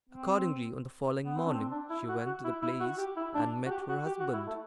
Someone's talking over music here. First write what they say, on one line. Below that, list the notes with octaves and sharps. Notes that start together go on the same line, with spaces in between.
Accordingly, on the following morning she went to the place and met her husband.
C4
B3
C4
D4
C4
D4
E4
F#4
F#4
E4
E4
F#4
G4
E4
D4
F#4
G4
F#4
G4
F#4
E4
A3